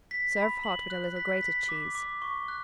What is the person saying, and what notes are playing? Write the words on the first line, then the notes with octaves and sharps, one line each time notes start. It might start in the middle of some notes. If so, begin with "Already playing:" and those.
Serve hot with a little grated cheese.
B6
B5
F#7
F#6
B6
B6
D6
D6
C#6
F#6